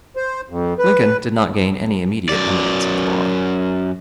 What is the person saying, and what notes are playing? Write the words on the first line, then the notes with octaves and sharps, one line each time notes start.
Lincoln did not gain any immediate eminence at the bar.
C5
F2
B4
F#2 D5